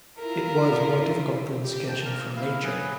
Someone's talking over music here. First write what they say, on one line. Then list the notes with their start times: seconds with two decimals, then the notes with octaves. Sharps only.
It was more difficult than sketching from nature.
0.18 E4 F4 A#4
1.64 G4
1.88 A#2 G5 A5
2.05 A#4
2.36 A#3 E4 F5
2.63 F#3 G#4 B4